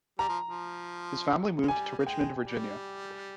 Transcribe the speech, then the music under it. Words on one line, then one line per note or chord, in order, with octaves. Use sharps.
His family moved to Richmond, Virginia.
G3 A#5
F3
F3
G#3
G3 G#5
A#3
G#3 G5
G3